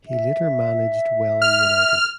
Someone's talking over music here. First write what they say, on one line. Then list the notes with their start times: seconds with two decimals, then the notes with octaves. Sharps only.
He later managed Welling United.
0.08 E5
1.42 F6